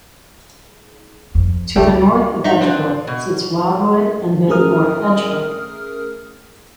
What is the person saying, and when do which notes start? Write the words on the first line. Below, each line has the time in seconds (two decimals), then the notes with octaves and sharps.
To the north of Edgebrook sits Wildwood and then North Edgebrook.
1.35 F2
1.76 C#2 G3 A3
2.44 D#4 D#5 E5
2.61 C4 D4 B4
3.07 B2
4.48 A3 C#4 G#4 A#4 D#6 F6